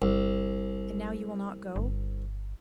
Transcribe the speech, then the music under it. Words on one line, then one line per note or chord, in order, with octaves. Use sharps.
"And now you will not go?"
G1 C2
G1